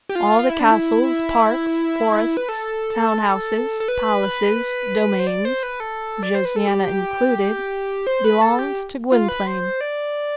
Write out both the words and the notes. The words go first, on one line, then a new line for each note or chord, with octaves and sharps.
All the castles, parks, forests, town houses, palaces, domains, Josiana included, belonged to Gwynplaine.
G4
F4
F4
E4
D4
E4
B4
A4
A4
B4
C5
D5
C5
B4
A4
D5
C5
B4
A4
G4
C5
B4
A4
G4
F4
B4
C5
D5